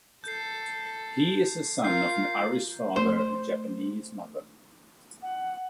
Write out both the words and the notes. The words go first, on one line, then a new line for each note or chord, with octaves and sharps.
He is the son of an Irish father and a Japanese mother.
A4 G6 C7
F4 A#4 G6 C7
A3 C5
F#5